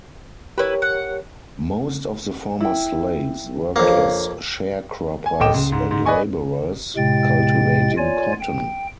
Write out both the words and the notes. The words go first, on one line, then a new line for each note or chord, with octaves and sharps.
Most of the former slaves worked as sharecroppers and laborers, cultivating cotton.
E4 G4 A#4 B4 C#5
F#5
E4 G5
F2 A#3 D4 C#5 F5
G#5
D1 A4 D#5 G5 D6 E7
C#2
G#2
G#2
B4 D5 D#5 G#5 C#6
A2 C3 G#3 G5 A6
F4 C#5 D5 G#5
G5